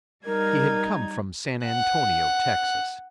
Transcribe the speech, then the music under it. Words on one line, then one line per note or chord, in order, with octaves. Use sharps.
He had come from San Antonio, Texas.
G3 D#4 A#4 G#6
F#5 F#6